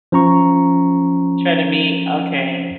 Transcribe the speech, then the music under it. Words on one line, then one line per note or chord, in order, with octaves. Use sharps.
Shredded meat? Okay.
F3 C#4 A#5 C#6